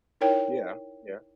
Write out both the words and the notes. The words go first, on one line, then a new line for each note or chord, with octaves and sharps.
Yeah. Yeah.
D#4 E4 A#4 C#5 G5